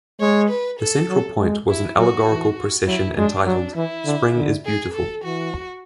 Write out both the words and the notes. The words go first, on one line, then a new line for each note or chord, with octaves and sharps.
The central point was an allegorical procession entitled "Spring is Beautiful".
G#3 C#5
B4
A4
F#3
G#3
E4
F#3 F#4
E3
F#3 E4
G#3 D4
F#3 D4
E3 E4
D3
D3
G#4
A4
E3 F#4